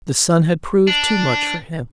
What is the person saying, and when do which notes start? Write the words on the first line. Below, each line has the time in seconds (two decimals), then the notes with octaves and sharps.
The sun had proved too much for him.
0.87 D4